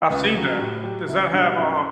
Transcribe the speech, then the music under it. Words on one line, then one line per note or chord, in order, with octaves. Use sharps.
I've seen that. Does that have, um
C#2 B4
C#3 F#3
A2 G4
F#3 G4
C#2 E4
B2 G3 D4
F#2 E4